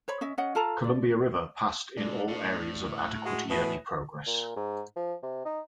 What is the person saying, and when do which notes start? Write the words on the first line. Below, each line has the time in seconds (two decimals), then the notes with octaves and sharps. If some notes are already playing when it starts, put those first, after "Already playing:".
Columbia River passed in all areas of Adequate Yearly Progress.
0.08 C5 C#5 B5
0.21 C#4 D#5 E5
0.38 C#4 C#5 D#5 F#5
0.55 F4 A4 A5 A#5
0.84 D5
1.97 G#2 D4 A4
2.28 A2
2.98 C#6 E6 F#6
3.25 G#3 F#4
3.50 B2 E3 C#5 D#6 A#6
4.27 A#2
4.56 G#2
4.96 F3
5.23 C3
5.45 D#4